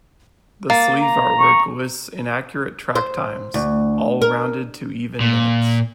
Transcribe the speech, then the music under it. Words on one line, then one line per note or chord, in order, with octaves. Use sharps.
The sleeve artwork lists inaccurate track times, all rounded to even minutes.
A#3 A6
A#5
C#6
C5
D2
A#4
A#2